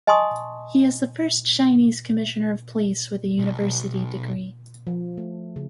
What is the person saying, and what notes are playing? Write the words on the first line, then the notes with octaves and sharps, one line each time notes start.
He is the first Chinese Commissioner of Police with a university degree.
D#5 G#5 A5 C6 C#6 D#6
B1
F3
A3
C#3